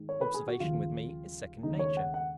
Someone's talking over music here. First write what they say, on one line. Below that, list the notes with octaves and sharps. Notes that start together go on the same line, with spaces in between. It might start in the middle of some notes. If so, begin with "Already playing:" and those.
Observation with me is second nature.
Already playing: G#2 D#3 G#3
C#5
B4
G#4
F#4
D#2 C#3 F3 G#3 F4
D#2 C#3 G#3 D#4
C#5
F#5
F#5